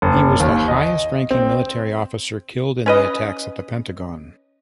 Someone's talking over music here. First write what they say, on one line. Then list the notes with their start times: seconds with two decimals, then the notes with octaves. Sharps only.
He was the highest-ranking military officer killed in the attacks at the Pentagon.
0.02 F#1
0.40 D#2
0.68 D#5
1.31 C4
2.86 C#4 B4 D#5